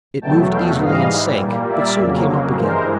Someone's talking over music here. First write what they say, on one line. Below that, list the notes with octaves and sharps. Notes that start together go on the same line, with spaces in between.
It moved easily and sank, but soon came up again.
E2 B2 F#3 A3 G5 A5
F5 G5
G#2 E3 G3 D#5 F5
A#2 G3 A#3
D5 E5
F2 C#3 F#3 A#3
G2 E3 G#3 A#4 C5